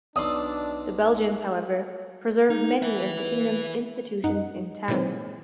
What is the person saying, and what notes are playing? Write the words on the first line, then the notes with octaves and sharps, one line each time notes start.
The Belgians, however, preserved many of the kingdom's institutions intact.
B1 D4 D5 C6 D#6 E6
D#4
B4 E5
F#2 D#4 F#5
A#2 D#3 E3 F#3 G#3 C4